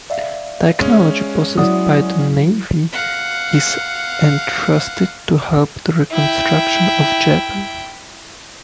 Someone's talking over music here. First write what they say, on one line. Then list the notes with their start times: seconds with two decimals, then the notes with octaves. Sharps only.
Technology possessed by the Navy Is entrusted to help the reconstruction of Japan.
0.10 D5 E5 F5
0.79 G#3 C#4
1.58 F#3 E4 D5 F#5 D#6
2.92 F5 F#5
6.11 E4 G5